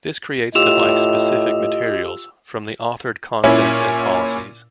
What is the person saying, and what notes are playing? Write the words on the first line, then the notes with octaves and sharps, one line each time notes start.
This creates device-specific materials from the authored content and policies.
A2 F4 G4 D#5 E6 E7 F7
A#2 C#4 E4